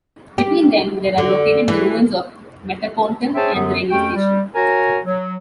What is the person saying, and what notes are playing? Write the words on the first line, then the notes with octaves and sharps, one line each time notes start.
Between them there are located the ruins of Metapontum and the railway station.
G4
D3
E3
G#4 C5 C#5 E5 G5 A5
F#2 D3 F#3 B3
F2 A3 C#4 G5
G3
F#4 A#4 C#5 G#5 A#5
F#3